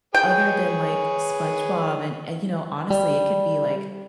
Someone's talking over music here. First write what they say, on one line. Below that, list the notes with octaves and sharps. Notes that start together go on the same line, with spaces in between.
other than, like, SpongeBob and uh, you know, honestly it could be like
G#4 B4 C#5 G5
G3